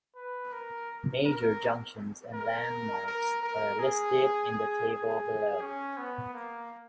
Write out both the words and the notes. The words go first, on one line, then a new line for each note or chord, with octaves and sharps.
Major junctions and lankmarks are listed in the table below.
B4
A#4
A#4
A#4
A#4
A#4
G#4
G#4
G#4
C#4
B3
A#3